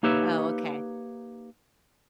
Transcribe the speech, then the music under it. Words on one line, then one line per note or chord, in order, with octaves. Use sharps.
Oh, okay.
A#3 D#4 G4 B4 C#5 E5